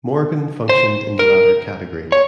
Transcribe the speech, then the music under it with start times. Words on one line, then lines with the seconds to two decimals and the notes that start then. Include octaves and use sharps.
Morgan functioned in the latter category.
0.69 C5
1.19 A#4
2.12 C#5